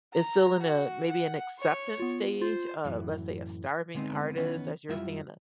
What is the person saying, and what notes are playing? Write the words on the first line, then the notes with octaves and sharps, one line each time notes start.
it's still in a maybe an acceptance stage of, let's say, a starving artist, as you were saying, uh,
A#5
F#4
F#5
C#5
B3 F4
F4 C5
F#2 A2 E3
D3 G#3 B3 C4 D#4
D#3 E3 B3 C#4 D#4
F#2 G3 E4 F4 E5